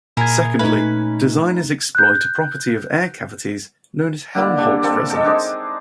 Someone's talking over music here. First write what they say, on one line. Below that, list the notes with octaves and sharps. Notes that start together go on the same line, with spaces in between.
Secondly, designers exploit a property of air cavities known as Helmholtz resonance.
A#2 E4 G#4 A#4 G#6
A3 C#4 D#4 B4
F#6 G6
D3 A#3 E4
G3 D4
A#3 C4 A4
G#3 A4 G5
D4 D#4 G#4 C5